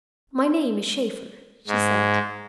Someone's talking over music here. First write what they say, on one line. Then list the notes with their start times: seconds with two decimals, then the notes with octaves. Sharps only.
"My name is Shaeffer," she said.
1.67 G#2